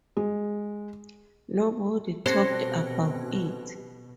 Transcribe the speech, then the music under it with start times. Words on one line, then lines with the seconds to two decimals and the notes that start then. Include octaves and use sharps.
Nobody talked about it.
0.17 G#3
2.26 B2 C4 C#4 G4 A4 C5 F#6 A#6